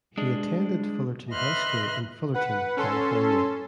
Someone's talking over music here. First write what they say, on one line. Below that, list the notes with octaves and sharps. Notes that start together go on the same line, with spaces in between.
He attended Fullerton High School in Fullerton, California.
G#3 D4
B4 D#5 E5 C6 F6 F#6
B4 F#5
C#4 A4 C6